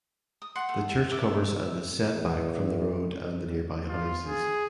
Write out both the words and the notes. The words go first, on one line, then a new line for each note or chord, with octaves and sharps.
The church covers and is set back from the road and the nearby houses.
D#6
F#5 C6
A3
E4 E5 D6
E2
F4
G#4